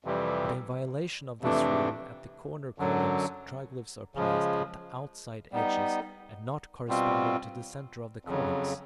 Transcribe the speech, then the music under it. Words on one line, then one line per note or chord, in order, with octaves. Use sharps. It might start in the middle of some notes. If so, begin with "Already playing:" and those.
But in violation of this rule, at the corner columns triglyphs are placed at the outside edges and not corresponding to the centre of the columns.
F2 C3 E3 G3
F2 C3 E3 A3 D4
F#2 D3 F#3
C#3 F3 G#3
G3 B3 D#4
B2 G3 C4 F4
F2 C#3 F#3